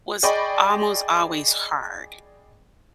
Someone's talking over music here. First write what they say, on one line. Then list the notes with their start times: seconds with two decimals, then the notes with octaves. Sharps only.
was almost always hard,
0.23 G#4 D5 D#5 G5 B5 C#6